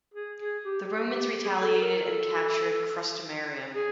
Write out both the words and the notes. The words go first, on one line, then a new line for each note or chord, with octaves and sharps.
The Romans retaliated and captured Crustumerium.
G#4
G#4
G4
G4
G4
G#4
A4
A#4
A4
G#4